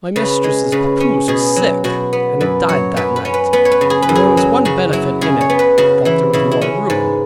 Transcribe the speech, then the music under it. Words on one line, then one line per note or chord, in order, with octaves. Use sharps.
My mistress's papoose was sick, and it died that night, and there was one benefit in it--that there was more room.
C#3 B4
G#3
C#3 B4
C#4
B2 G#4
F#3
B2 F#4
B3
F#2 B4
F#3 C#5
F#2 B4
B4
C#4
B4
B3 B4
C#5
B4
C#3
G#4
B4
F#2
G#4
F#3
C#3 F#4
F#3 E4
C#3 G#4
C#5
B3
B4
C#3 F#4
E3 E4
C#3 E4
E4
C#4 F#4
G#2 B4